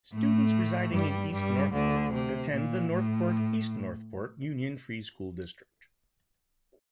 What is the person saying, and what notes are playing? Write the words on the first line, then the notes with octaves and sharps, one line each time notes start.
Students residing in East Northport attend the Northport-East Northport Union Free School District.
A2 A3
G2 G3
G2 G3
D2 D3
C3
A#2
A2